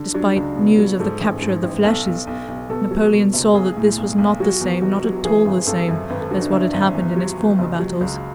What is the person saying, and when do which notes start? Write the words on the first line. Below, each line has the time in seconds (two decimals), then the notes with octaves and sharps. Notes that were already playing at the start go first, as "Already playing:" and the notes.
Despite news of the capture of the fleches, Napoleon saw that this was not the same, not at all the same, as what had happened in his former battles.
Already playing: D3
0.14 F#3 D4
0.36 C#2
0.57 B2
0.78 F#3
0.99 G#2 A4
1.21 A1
1.42 G#2
1.63 A1
1.84 B1 A4
2.06 B1
2.27 B1
2.48 B1
2.69 B2 A4
2.91 F#3
3.12 B2
3.33 F#1
3.54 B1 G#4
3.77 A2
3.98 B1
4.18 B1
4.40 F#3 F#4
4.61 E2
4.82 E1 F#4
5.04 F#3
5.25 E3 G#4
5.45 G#1
5.67 G#1 A4
5.88 F#2
6.10 G#1 B4
6.21 A4
6.31 D3 F#4
6.41 D4
6.52 D3 E4
6.73 G#1
6.94 E2
7.16 F#3
7.37 E2
7.59 F#1
7.79 F#3
8.01 C#2